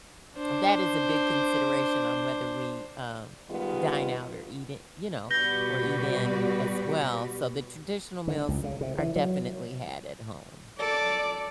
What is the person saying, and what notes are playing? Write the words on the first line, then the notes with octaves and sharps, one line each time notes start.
that is a big consideration on whether we, um, dine out or eat it you know, or eat in as well, so the traditional meals are definitely had at home.
D4 C5
D#3 G3 G#3 B3 F4
B2 G3 F#4 B4 D5 G6 A#6 G7
D3
C#2
C#3
C3
E3
F#3
A4 D5 D6